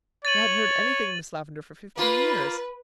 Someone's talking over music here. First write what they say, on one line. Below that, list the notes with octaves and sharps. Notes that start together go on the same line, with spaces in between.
He hadn't heard anything of Miss Lavendar for fifteen years.
C#5 A6 D#7 F#7
A#3 F4 B4